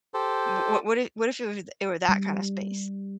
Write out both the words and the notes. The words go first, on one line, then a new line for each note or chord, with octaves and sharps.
wha wha what if what if it were it were that kind of space?
G4 A4 C5
G3